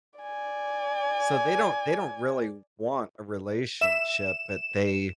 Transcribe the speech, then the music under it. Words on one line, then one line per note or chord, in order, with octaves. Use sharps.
So, they don't they don't really want a relationship, but they
D5 G#5
E5 E7